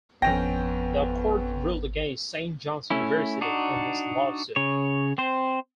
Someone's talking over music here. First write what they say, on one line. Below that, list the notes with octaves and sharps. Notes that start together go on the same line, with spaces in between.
The court ruled against Saint John's University in this lawsuit.
G#1 F2 B3 C#4 G5 A#6
A3 C#4 E4
D4 D#4 F#4
C#3 C#5
C4 C5